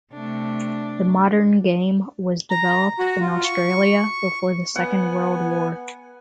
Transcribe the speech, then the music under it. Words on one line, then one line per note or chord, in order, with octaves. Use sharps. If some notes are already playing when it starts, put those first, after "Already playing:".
The modern game was developed in Australia before the Second World War.
C3 A3 D4
A#5
F#4
F4
C#6
B3 F#5 G#5